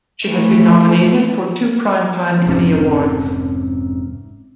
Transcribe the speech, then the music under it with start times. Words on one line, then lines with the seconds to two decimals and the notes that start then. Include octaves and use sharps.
She has been nominated for two Primetime Emmy awards.
0.25 E3 A3
2.47 F1 G#2 C3 C#4